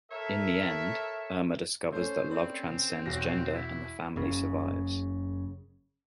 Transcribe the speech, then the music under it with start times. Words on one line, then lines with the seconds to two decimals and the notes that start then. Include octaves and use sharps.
In the end, Irma discovers that love transcends gender and the family survives.
0.10 A4 A#4 C#5 E5
1.92 A3 C#4 A4 C5 C#5
2.30 C4 G#4 B4 D5
2.70 C#3
3.06 B1 E2 F#4 A#6
3.54 E4
4.16 F#1 C#3